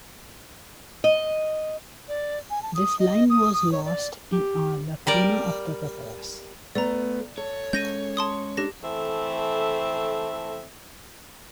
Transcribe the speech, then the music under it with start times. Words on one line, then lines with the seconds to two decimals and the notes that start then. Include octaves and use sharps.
This line was lost in a lacuna of the papyrus.
1.04 D#5
2.08 D5
2.50 G#5
2.62 A5
2.75 D#6
2.99 D#5
3.30 D#6
3.53 D#6
3.72 C#5
3.85 D5
4.32 G4
5.07 G3 A#4 D5
6.75 A3 B3 D5 A#5
7.37 A4 C#5
7.73 G#3 C#4 G6 A#6 D#7
8.17 A5 C6 D#6
8.57 D4 G4 A4 A#6
8.83 E3 A3 C4 A4 E5